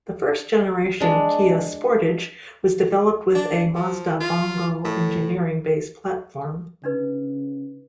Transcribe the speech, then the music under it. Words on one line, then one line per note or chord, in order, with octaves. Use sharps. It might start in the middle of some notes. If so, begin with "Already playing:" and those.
The first-generation Kia Sportage was developed with a Mazda Bongo engineering base platform.
G#3 D4
D4
F3
F4
A2
C#3 D4 D#4 B4